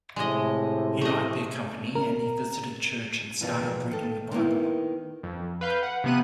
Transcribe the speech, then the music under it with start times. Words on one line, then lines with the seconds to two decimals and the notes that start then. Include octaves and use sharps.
He liked their company and he visited church and started reading the Bible.
0.16 A2 C3 G#3 D#5
1.01 A3 D#5
1.95 A#4
3.41 E2 B2 D#3 F3
3.91 D#3 A4
4.31 D#3 A#3 B3 E4
5.23 F2
5.61 B4 F5 G6
5.83 F#5
6.04 C3 F3 B3 F#6 D#7